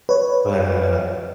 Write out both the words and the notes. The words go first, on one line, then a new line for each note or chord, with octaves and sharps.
But, uh
B4 C#5